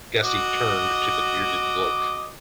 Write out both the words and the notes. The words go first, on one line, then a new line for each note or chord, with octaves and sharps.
Gussie turned to the bearded bloke.
F#4 D#5 D6